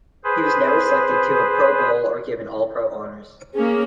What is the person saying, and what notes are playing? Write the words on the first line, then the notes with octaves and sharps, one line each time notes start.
He was never selected to a Pro-Bowl or given All-Pro honours.
G#4 B4 C5
A#3 C#4 G#4